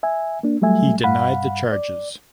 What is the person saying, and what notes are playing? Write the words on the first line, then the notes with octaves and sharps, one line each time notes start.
He denied the charges.
E5 G#5
A#3 D4
F#3 G3 A3 E5 G#5
G2 F5 F#5 B5
D5